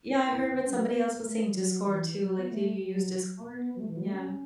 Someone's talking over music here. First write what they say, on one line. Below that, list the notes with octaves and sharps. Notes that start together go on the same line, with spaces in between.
Yeah, I heard what somebody else was saying Discord too. Like, do you use Discord? Yeah.
E4
C#4
F#3
A3
B3
A3
F#3
E3
F#3
B3
A3
F#3
B3
F#3
A3
E3
F#3
A3
C#4